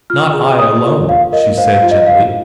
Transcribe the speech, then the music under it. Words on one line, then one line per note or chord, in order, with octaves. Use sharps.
"Not I alone," she said gently.
F4 F6
G#4
C#5 D#6
F4
F4 F5
A#4 D#5
C5 F5
F5
F4
D#5
F4 F5